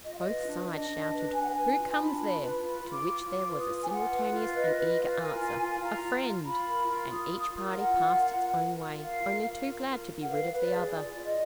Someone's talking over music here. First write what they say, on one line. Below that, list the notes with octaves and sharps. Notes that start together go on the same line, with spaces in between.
Both sides shouted, "Who comes there?" to which there was a simultaneous and eager answer, "A friend," and each party passed its own way, only too glad to be rid of the other.
F4 D#5
F5
D#5
B4
D4
D4 D#5
D4
B4
D4 G#5
F#5
B4 G#5
F4
D4 B5
F4
B4
F4 B5
F4
D6
F4
F4 D6
B4
D#6
F4
G#5
F4 F#5
B4
F4
B4 D#5
B4
F4
A#4 G#5
F4
F4
G#5
F4 A#5
F4
F4
F4 B5
A#4
F4
F4 D#6
F4
A#4
F4 F#5
F4
A#4
A#4
A#4
F4
A#4 F5
F4
A#4
F4
A#4
A#4
F#5
B4 F5
B4
D5
G#4
F4 D5
F4
D#5